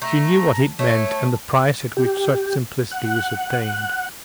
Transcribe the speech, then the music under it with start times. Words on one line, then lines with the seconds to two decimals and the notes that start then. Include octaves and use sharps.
She knew what it meant, and the price at which such simplicity was obtained.
0.02 A3 A#5
0.79 A3 C#5 A5
1.97 G4
2.91 F#5